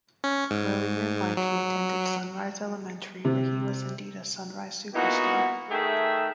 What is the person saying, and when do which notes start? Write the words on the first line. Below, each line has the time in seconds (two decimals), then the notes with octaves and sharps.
Earlier in life he attended Sunrise Elementary where he was indeed a Sunrise Superstar.
0.24 C#4
0.51 G#2
1.37 F#3
3.25 C3
4.95 A#2 B3 D#4 E4 F#4
5.70 D#3 A3 G#4 A4 E5 G5